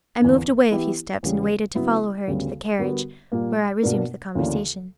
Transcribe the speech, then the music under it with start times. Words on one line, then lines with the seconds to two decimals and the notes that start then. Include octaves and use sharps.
I moved away a few steps, and waited to follow her into the carriage, where I resumed the conversation.
0.19 E2 D3 A#3
0.71 E3 B3 E4 G4
1.23 E2 C#3 G3 B3
1.75 C#3 F#3 B3 E4
2.28 D2 C#3 G3 B3
2.79 D3 G3 B3 F#4 A#4
3.32 A#2 G3 A#3
3.83 B2 A#3 D4 A#4
4.35 D2 C#3 E3 A#3 D4